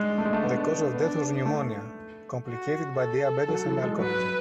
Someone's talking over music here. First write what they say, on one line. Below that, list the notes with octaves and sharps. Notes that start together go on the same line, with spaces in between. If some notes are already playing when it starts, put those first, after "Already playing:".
The cause of death was pneumonia, complicated by diabetes and alcoholism.
Already playing: G#3 D4
A3
G#3
A3
B3
B3 D4
A3
F#4
A4
F#3
E3
G#3
F#3 B4